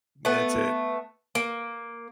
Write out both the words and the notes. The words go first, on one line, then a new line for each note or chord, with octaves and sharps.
That's it.
A3 B3
A#3